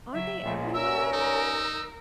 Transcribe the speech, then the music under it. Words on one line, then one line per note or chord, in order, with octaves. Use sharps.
Aren't they everywhere?
C#3 F#3 E5
C#2 A#2 F3
G2 C#4 A#4 E5 E6
D#4 E6